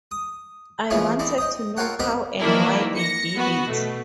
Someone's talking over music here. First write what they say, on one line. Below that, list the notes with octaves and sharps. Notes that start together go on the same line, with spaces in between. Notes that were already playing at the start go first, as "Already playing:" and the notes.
I wanted to know how and why they did it.
D#6
C#3 E3 F3 A3 A#3 C#4
C4 D#4 E4 D5
D#5 G5 D#6
F4 A4 A#4 C#5 F#5 G5
B3 C4 D#4 G4 A#4
D#3 E3 F#3 A#3 D4 E4
A#6 C#7
B3 F#4
B2 A3